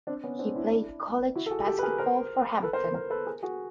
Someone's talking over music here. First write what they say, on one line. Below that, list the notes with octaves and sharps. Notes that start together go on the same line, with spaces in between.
He played college basketball for Hampton.
C4 D4
B3 C#4
C4 D4
D4 E4
E4 F#4
A4
F#4 G#4
G4 A4
B4
G#4 A#4
A#4 C5
A4 B4
A#4 C5
A#4 C5
A4 B4
G#4 A#4
F#4 G#4